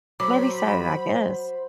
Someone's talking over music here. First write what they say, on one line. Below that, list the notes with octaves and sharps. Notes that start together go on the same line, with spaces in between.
Maybe so, I guess.
F#3 C5 B5 D6